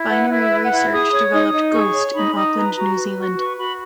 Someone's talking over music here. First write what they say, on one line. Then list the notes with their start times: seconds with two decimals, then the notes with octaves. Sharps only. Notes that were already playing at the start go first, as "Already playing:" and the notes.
Binary Research developed Ghost in Auckland, New Zealand.
Already playing: E4
0.09 B4 F#5
0.30 E4
0.37 E5
0.50 B4
0.64 F#5
0.71 E4
0.91 G#4 D#6
1.11 C#5
1.32 D#4 D#6
1.53 D#4
1.69 D#6
1.73 G#4 C#6
1.94 C#5
2.15 D#4 B5
2.34 D#4
2.56 B4 A#5
2.75 F#4 A#5
2.96 B4
3.17 F#4
3.38 B4 C#6
3.58 F#4 B5